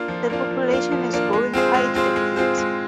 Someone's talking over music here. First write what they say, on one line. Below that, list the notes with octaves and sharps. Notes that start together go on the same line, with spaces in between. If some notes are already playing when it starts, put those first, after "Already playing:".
The population is growing quite a bit.
Already playing: A#3 D4 F4
F3
A#3 D4 F4
F3
A#3 D4 F4
F3
A#3 D4 F4
G#3
C4 F4 G#4 C5
G#3
C4 F4 G#4 C5
G#3
C4 F4 G#4 C5
G#3